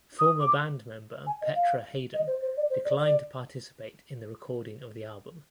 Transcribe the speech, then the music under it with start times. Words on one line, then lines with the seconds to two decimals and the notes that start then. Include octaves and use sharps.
Former band member Petra Haden declined to participate in the recording of the album.
0.19 D#6
0.40 D6
1.27 G#5
1.42 D#5
1.55 F5
2.14 D#5
2.27 C5
2.42 C5
2.57 D5
2.70 C5
2.85 D5
2.99 D5